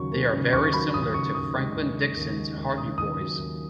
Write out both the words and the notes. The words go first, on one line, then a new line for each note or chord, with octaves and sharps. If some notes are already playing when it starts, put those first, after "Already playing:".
They are very similar to Franklin Dixon's Hardy Boys.
Already playing: D#2 C#3 F#3 C#6
A#3
C#3
D#2 C#6
F#3 B5
D#2 D#6
C#3 C#6
D#2 D#6
G#3
D#2
C#3
D#2
G#3
D#2
C#3 D#6
D#2 D#6
F#3
D#2